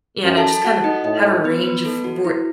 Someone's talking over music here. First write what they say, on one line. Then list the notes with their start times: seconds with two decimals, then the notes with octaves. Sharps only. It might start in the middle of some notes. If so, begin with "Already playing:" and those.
Yeah, and I just kind of have a range of where
0.24 F#2
0.37 A4 A5
0.51 A4 A5
0.64 F#4 F#5
0.84 D#4 D#5
1.04 A2 D#4 D#5
1.44 B3 B4
1.64 B3 B4
1.85 A3 A4
2.04 F#4
2.24 E4